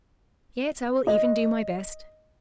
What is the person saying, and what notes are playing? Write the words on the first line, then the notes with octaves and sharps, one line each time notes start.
"Yet I will even do my best."
D#5